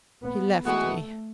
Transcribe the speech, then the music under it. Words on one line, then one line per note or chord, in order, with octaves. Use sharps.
He left me.
B3
E3 G#3 A3 B3 F#4